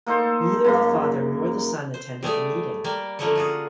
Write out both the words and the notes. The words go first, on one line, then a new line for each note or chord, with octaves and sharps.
Neither the father nor the son attended the meeting.
A#3 D#4 A4 C5
F#2 C#3 A#3
C5
G3 A3 G#4 D5
G3 A#3 D5
D3 F3 A3 A#3 C#4
F4 F#4 G#4